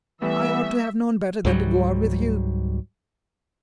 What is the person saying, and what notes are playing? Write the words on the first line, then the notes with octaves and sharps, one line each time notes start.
I ought to have known better than to go out with you.
E3 G3 A3 B3 E5
C#2 G#2 F#3 G3